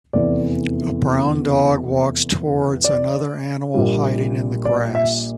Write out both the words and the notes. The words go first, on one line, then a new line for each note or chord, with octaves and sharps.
A brown dog walks towards another animal hiding in the grass.
F1 E2 E3 D5
D5
A#1 A#2 G3
D5
E5